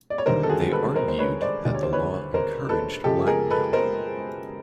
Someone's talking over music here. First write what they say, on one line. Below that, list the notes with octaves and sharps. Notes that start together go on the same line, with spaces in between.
They argued that the law encouraged blackmail.
D5
C#5
D#2 D3 G3 A#4 C5
A4
F#4 G#4
A4 B4
A#4 C5
C5
B4 C#5
C5 D5
D2 D3 G3 D5
C#5
C5
B4 C#5
A#4 C5
A4 B4
F#2 C#3 F3 G#3 G4 A4
G#4 A#4
A4 B4
A#4 C5